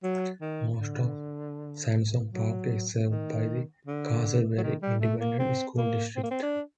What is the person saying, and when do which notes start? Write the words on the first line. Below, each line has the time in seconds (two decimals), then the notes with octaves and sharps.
Most of Sansom Park is served by the Castleberry Independent School District.
0.03 F#3
0.41 D#3
0.80 D3
2.33 F#3
3.10 D#3
3.87 D3
4.58 F#3
4.63 D#3
4.82 G3
5.01 A3
5.21 A#3
5.39 C4
5.78 A#3
6.16 C4
6.23 A#3
6.31 C4
6.43 D4